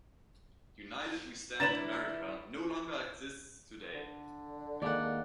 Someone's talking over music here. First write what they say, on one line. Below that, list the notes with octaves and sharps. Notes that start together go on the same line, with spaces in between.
United We Stand America no longer exists today.
D3 E4 B4 D5 A#5 A6 E7
D3
D#2 G#3 A#3 D5 F#5